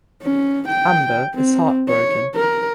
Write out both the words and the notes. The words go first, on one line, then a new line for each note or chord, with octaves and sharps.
Amber is heartbroken.
C#4
G5
C4
C#5
A#4